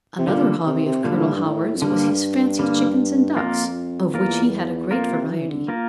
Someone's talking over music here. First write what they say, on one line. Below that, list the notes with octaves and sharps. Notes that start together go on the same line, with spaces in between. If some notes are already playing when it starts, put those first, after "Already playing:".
Another hobby of Colonel Howard's was his fancy chickens and ducks, of which he had a great variety.
C3
A#2 D3 G3 A#3
C3
C3
A#2 D3 G3 A#3
A2
G2
A2
F2
G2 D3 G3 A#3
D3 G3 A#3
F2 A#3 F4 A#4
E2 A#3 F4 A#4
F2 A#3 F4 A#4
C3
E3
D3
A#3 F4 A#4